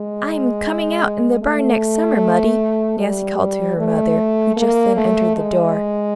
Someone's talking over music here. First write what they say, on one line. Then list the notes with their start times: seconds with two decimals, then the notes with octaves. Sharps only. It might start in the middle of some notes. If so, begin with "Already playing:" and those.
"I'm 'coming out' in the barn next summer, Muddy!" Nancy called to her mother, who just then entered the door.
Already playing: G#3
1.42 A3
2.99 G3
3.78 A3
4.57 A#3
4.96 A3
5.37 G#3